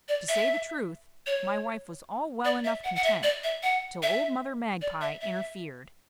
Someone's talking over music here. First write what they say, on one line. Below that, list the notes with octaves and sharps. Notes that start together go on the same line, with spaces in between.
To say the truth, my wife was all well enough content till old Mother Magpie interfered.
D5
E5
C#5
D5
E5
F#5
F#5
E5
D5
E5
F#5
E5
D5
E5
E5